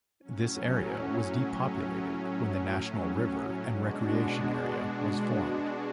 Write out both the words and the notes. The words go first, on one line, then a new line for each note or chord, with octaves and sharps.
This area was depopulated when the National River and Recreation Area was formed.
A2 F#3 C#4
B2 G#3 D4 F#4